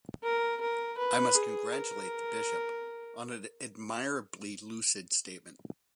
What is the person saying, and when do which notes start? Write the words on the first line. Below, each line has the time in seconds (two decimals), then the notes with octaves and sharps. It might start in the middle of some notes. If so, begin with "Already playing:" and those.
I must congratulate the bishop on an admirably lucid statement.
0.23 A#4
0.61 A#4
0.98 B4
1.35 G#4
1.72 A#4